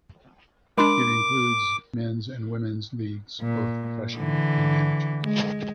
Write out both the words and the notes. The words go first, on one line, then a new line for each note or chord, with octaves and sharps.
It includes men's and women's leagues, both professional and amateur.
G#3 D4 A#4 B5 C6 D6
A#2
D3 E3
G#3